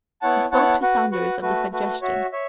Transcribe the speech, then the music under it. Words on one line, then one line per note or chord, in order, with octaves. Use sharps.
He spoke to Saunders of the suggestion.
B3 E4 C#5 F#5 A5
B3 E4 C#5 F#5 A5
F#4 B4 F#5
F#4 B4 F#5
A3 F#4 B4
A3 F#4 B4
F#4 C#5 E5
C#5 E5